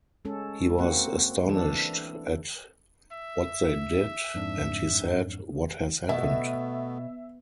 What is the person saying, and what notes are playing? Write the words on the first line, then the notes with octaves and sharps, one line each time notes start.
He was astonished at what they did, and he said, "What has happened?"
G#3 C#4 A4
A#3 C4 F#4 F#5
E3 D4 A4
E5
F2 G#2 D4
B2 A3 B3 E5